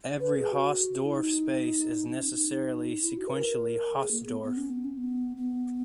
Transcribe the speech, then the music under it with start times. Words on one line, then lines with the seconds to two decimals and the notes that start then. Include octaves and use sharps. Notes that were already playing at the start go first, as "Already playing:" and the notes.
Every Hausdorff space is necessarily sequentially Hausdorff.
0.20 B4
0.36 G#4
0.52 F#4
1.04 E4
1.14 D#4
2.09 D#4
2.19 C#4
2.30 D#4
3.02 E4
3.17 F#4
3.27 B4
3.33 A#4
3.95 G#4
4.11 A#3
4.26 B3
4.42 B3
4.57 C#4
4.70 B3
4.84 C#4
4.97 B3
5.37 B3